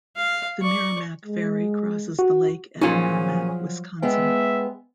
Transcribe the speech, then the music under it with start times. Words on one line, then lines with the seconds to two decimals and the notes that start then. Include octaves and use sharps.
The Merrimac Ferry crosses the lake at Merrimac, Wisconsin.
0.16 F5
0.61 D5 C#6
1.25 G#3
2.19 F#4
2.81 A#2 F3 F#3 C#4 D#4 F4 G#4
4.02 G#3 B3 E5 G5